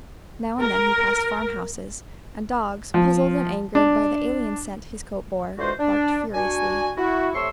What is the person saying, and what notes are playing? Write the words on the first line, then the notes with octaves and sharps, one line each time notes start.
Now and then, he passed farmhouses, and dogs, puzzled and angered by the alien scent his coat bore, barked furiously.
A#4
F3
D4
D3 E3 G#3 F4 F#4 C5
D4
D4 F#4 G#5
E4 F#4
C3 A3 C#5 C6 C#6 E6